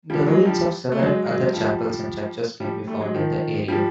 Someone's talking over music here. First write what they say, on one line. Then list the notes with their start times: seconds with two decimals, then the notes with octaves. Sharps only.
The ruins of several other chapels and churches can be found in the area.
0.10 F3 G3
0.28 F#3 G#3
0.45 F3 G3
0.92 A3
0.99 F#3 G#3
1.26 F#3 G#3
1.53 F3 G3
2.60 F3 G3
2.87 G3 A3
3.00 F#3 G#3
3.14 D#3 F3
3.68 F3 G3